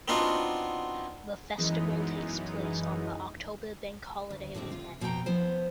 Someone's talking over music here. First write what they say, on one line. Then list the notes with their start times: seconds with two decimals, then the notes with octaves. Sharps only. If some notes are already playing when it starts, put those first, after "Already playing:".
The festival takes place on the October Bank Holiday weekend.
0.08 B3 C4 D4 D#4 F4 F#4
1.57 F#2 E3 G#3 B3 D#4
4.30 D2
4.55 A2 D3 G#3 B3 C4
4.71 C3 F4
5.00 F2 B2 B3 D4 G5 A#5
5.26 F3 B3 E4 C5